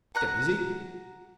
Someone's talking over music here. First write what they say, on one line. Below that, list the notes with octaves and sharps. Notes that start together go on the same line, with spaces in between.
"Get busy."
F#5 A#5 F#6